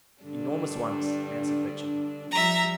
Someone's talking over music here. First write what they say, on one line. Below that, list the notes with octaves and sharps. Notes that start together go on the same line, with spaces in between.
"Enormous ones," answered Beauchamp.
G2 D3 D4
F3 G3 E5 A#5